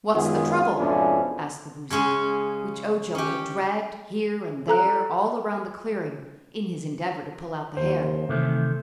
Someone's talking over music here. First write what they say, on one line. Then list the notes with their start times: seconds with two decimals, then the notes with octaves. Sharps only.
"What's the trouble?" asked the Woozy, which Ojo had dragged here and there all around the clearing in his endeavor to pull out the hair.
0.13 F#2 D#3 G#3 B3 F4 G#4
0.78 F2 G#2 B2 C#4 D4 E4
1.90 C#3 G#3 C#4 G#4
3.15 C#4 G4
4.68 A4 A#5 F#6
7.77 D#2 C5
8.29 C3 D#3 E3 A3